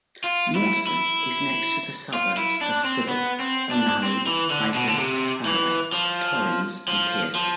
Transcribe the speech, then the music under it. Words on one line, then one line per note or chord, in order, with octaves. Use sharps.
Mawson is next to the suburbs of Phillip, O'Malley, Isaacs, Farrer, Torrens and Pearce.
F4
E4
E4
F4
E4
D4
C4
B3
C4
D4
C4
E3
D3
B2
D3
C3
E3
F3
F3
F3